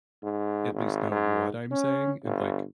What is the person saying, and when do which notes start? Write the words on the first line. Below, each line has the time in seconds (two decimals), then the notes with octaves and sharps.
at least know what I'm saying and like
0.23 G#2
0.74 G#1
1.11 G#2
1.71 C#4
2.24 G1